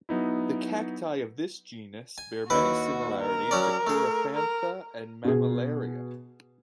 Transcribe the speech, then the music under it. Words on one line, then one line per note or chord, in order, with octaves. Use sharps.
The cacti of this genus bear many similarities to "Coryphantha" and "Mammillaria".
F#3 B3 D#4 E4
G#5
D#2 E4 F#4 B4
A#4
F#3 C#4 D5
A3 G#4
A#4
B2 G#4